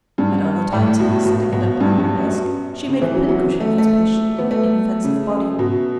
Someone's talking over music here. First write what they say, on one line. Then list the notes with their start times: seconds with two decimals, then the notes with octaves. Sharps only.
At other times, setting it up on her desk, she made a pincushion of its patient and inoffensive body.
0.18 G2
0.72 A2
0.99 B2
1.25 B2
1.53 B2
1.80 G2
1.99 G2
2.16 F#2
2.87 C#3
3.01 E3
3.15 F#3
3.29 F#3
3.60 A3
3.78 A3
4.38 B3
4.51 A3
5.04 C#3
5.59 B2